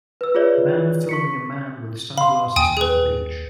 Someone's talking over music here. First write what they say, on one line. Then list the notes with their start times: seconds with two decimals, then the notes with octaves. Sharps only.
Man filiming a man with sunglasses at the beach.
0.21 B4 E6
0.35 F4 G#4 B4 C#5 D5 E5
1.09 C#6 B6 C#7
2.18 F5 B5 C6
2.56 D#2 G5 G#5 D#6
2.77 G#4 B4